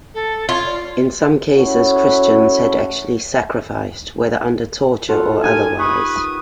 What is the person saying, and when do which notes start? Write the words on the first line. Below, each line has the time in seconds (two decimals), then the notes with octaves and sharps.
In some cases Christians had actually sacrificed, whether under torture or otherwise.
0.14 A4
0.49 F4 C#5
0.65 D5
1.55 C#4 E4 F#4 A4 C#5
5.08 F4 F#4 A4
5.43 D#4 G4 A#4 G#5
5.79 B4 C#6 D#6